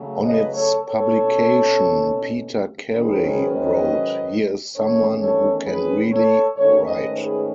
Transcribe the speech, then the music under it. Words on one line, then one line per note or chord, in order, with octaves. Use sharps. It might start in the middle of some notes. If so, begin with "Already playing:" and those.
On its publication, Peter Carey wrote "Here is someone who can really write".
Already playing: C#3 F#3 A3 C#4
B4 D#5
A4 C#5
A4 C#5
B2 A3 C#4
G#2 D#3 F#3 C#4 G#4 B4
G#4 B4
B4 D#5
E2 D#3 A3 C#4 A4 C#5
A4 C#5
G#4 B4
A4 C#5
G#2 D#3 A3 C#4 A4 C#5
B4 D#5
G#4 B4